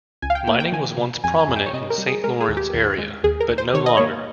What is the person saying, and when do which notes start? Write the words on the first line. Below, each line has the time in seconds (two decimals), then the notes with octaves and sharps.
Mining was once prominent in Saint Lawrence area, but no longer.
0.22 C#2 G#5
0.30 F5
0.35 G5
0.47 A#3 G5
0.60 G5
0.72 D#3 G#5
0.98 C3
1.24 F2 G#5
1.40 G#5
1.48 F2
1.56 G5
1.66 C#5
1.73 C3 D#5
1.90 A#4
1.98 G3
2.07 G#4
2.24 G#3 A#4
2.40 G#4
2.48 D#2
2.57 G4
2.74 D#2
2.98 G#3
3.24 D#2 G#4
3.40 A#4
3.49 D#2
3.58 C5
3.74 D#3 C#5
3.86 D#5
3.97 A#3 C#5